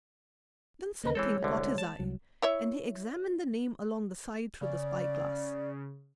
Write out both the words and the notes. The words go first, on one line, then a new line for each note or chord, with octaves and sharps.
Then something caught his eye and he examined the name along the side through the spyglass.
D#2 C#3 A#3 D#5
E3 G#3 C4 A4 C#5
C2 D3
A5
C2 F#3
E4 C#5 E5
C#3 D5